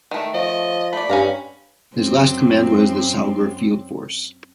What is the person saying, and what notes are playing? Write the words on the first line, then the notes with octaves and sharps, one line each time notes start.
His last command was the Saugor Field Force.
D#3 A3
F3 D#5
A3 D5 B5
G2 C#4 F5 A#5
F#2 C4